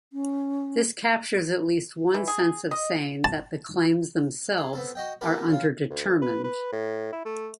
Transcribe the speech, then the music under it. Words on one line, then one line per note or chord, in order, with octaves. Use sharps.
This captures at least one sense of saying that the claims themselves are underdetermined.
C#4
E3
G#4
D#5
A5
G#4
B3 C4 A4
F#4 D#5 G5
A3 B3 E4 G4 A#4 B4
C#3 F4
D2
B4
B4
A2
E4
A3